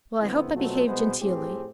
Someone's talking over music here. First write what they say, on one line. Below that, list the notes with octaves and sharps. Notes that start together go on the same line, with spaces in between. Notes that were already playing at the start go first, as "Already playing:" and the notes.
"Well, I hope I behave genteely?"
A#1 D3 B3 C4 E4
B2 F#3 A3 C4 F4
C2 B2 G#3 B3 C5
F2 A2 C4 G4 G#4